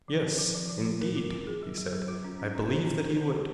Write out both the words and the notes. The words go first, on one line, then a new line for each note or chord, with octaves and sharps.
Yes, indeed, he said; I believe that he would.
F3
C4
F3
F3
F3
F3
A#4
F4
F4
G#4
F#3
F#3
F#3
F4
C#4
C#4
C#4
C5
C#4
C5
C#4
A#3